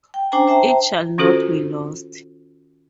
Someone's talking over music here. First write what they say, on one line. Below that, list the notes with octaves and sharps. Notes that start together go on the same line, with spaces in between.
It shall not be lost.
G5
C#4 D4 C5 G5 G#5 A#5
C5 E5 G5 A5 A#5
D#3 C#4 F4 F#4 A4 C5